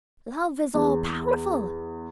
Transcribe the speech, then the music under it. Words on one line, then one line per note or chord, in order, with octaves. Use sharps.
Love is all-powerful.
E2